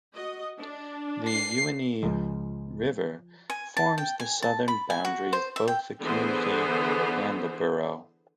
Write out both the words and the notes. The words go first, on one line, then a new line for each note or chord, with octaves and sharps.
The Ewenny River forms the southern boundary of both the community and the borough.
F#4 D#5
D4
C7
C#2 F3 G#3
G#5
A5
G5
G#5
A5
B5
G#5
F#4
C5
E5
G5
D3 E3 B3 G#4 C5